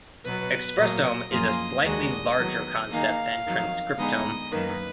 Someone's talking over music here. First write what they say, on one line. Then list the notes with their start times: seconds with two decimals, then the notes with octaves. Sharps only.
Expressome is a slightly larger concept than transcriptome.
0.24 B2 F#3 B3 B4
0.77 A#2 F#3 A#3 D#5
1.31 F#2 F3 A#3 F4 G#4 D#5
1.84 D#2 D#3 G#3 D4 F#4
2.37 D#3 F#3 B3
2.91 D#3 A#3 D#4 G#4 F5
3.45 F2 D#3 F#3
3.98 D3 G#3 B3 D#4 G#4 D#5
4.51 F#2 D#3 A#3 B4